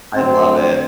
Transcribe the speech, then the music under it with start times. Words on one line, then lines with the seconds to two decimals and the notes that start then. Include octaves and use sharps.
I love it.
0.16 D3 F#3 A3 C4